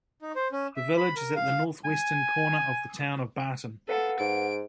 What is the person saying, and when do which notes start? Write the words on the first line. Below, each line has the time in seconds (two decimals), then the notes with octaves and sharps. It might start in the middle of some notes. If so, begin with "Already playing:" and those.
The village is at the northwestern corner of the town of Barton.
0.22 D#4
0.36 C5
0.52 C#4
0.76 E5
0.97 B5
1.16 A#4
1.36 F5
1.85 G#5
3.89 A4 B4 F5 F#5
4.19 G#2 D7